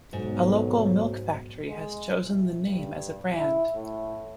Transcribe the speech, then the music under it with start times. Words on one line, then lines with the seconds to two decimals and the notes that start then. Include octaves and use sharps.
A local milk-factory has chosen the name as a brand.
0.13 B1 G#2 F#3
1.67 G#3
2.22 A2
2.65 G2
3.35 E4
3.74 A2